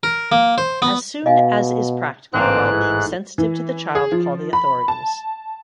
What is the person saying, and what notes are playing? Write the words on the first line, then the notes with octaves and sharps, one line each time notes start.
As soon as is practical, while being sensitive to the child, call the authorities.
A#4
A#3
C5
B3
B2 D#5 F5 G#5
A1 G#2 A#3 C4 D4 A#5 F#6
G#3 E4
E3
G#4
F3
B5
A5